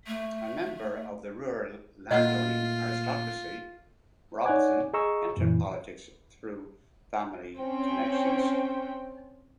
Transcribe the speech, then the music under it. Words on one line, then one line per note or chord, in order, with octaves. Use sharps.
A member of the rural landowning aristocracy, Robinson entered politics through family connections.
A3
A#2 A3 A#3 F4 D#5 F#5
D#4 C#5 D5 F#5 G#5 D6
G#4 D#5 A#5 C#6 E6
F#2 A#2 E3
C4 C#4 G5